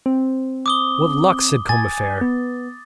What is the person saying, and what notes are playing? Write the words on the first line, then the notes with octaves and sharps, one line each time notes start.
"What luck!" said Combeferre.
C4
D6 D#6 G7
G#5 A6
B3